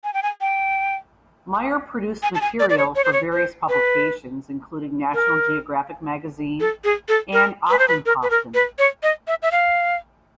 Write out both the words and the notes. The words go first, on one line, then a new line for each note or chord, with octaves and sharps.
Meyer produced material for various publications including National Geographic Magazine and Aftenposten.
G#5
G5
G#5
G5
G#5
A5
G#5
D5
D5
C#5
C#5
C5
C#5
C5
B4
A#4
A4
G#4
A4
A#4
B4
C5
B4
A#4
B4
A#4
B4
C#5
D#5
E5
E5
F5